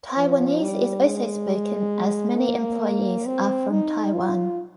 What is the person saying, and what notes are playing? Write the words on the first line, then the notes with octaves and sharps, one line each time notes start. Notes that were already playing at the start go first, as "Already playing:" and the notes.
Taiwanese is also spoken as many employees are from Taiwan.
F3
G3
G#3
A#3
C4
D#4
F4